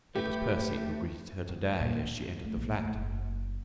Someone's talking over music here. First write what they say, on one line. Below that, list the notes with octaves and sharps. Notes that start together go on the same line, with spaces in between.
It was Percy who greeted her to-day as she entered the flat.
A3 G4 B4
F#2
D1
A#2
E2
A3
A#1
A3
F#1